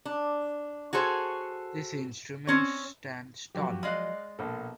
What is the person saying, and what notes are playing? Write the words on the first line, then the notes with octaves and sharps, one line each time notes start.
This instrument stands tall.
D4
F#4 G#4 A4 C5 C#5
C4 C#4 C#5
F3 F#3 F#4 G4 A#4
G#3 D5 D#5 F5 F#6
A#1 B2 A#3 A4